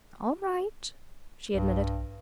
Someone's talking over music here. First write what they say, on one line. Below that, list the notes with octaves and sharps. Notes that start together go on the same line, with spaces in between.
"All right," she admitted.
B1 G2